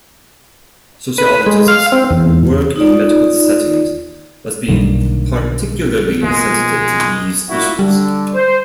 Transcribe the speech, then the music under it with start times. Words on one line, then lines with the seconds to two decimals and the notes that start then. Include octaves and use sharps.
Sociologists who work in medical settings must be particularly sensitive to these issues.
1.18 B4
1.46 G#3
1.68 F5
1.92 C4
2.11 E2
2.76 D#4 F4 D5
4.68 B1 G2 D3 D#3 G3 A#3
6.23 B2 F3 G#3 A#3
7.48 A#2 E4 F#4
7.79 D3 G3
8.34 C5